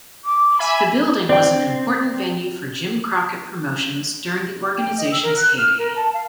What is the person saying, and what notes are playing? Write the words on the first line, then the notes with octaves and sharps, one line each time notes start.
The building was an important venue for Jim Crockett Promotions during the organization's heyday.
D6
E5 G#5 B5
C4 D5 G5
G5
D#5
E6
A#4
F#6
F6
A#4
A5
F5